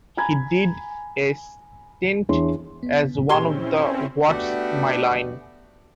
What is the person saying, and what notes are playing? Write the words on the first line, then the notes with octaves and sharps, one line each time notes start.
He did a stint as one of the What's My Line?
G#5 A#5 B5 G#6
E2 E3 D4 E4 C#5 C6
B3
A#2 G#3 C4 C#4 E4 G4 C6
A3 B3 D4 F#4 G4